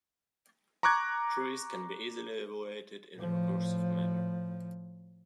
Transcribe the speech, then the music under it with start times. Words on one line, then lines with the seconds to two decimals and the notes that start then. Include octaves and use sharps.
Trees can be easily evaluated in a recursive manner.
0.83 A#5 C#6 D6 F#6 G#6
3.17 A2 F3